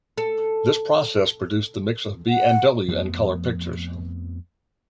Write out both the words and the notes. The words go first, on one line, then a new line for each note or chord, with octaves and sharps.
This process produced the mix of B and W and color pictures.
A4
F#5
F2 F3 A3 B3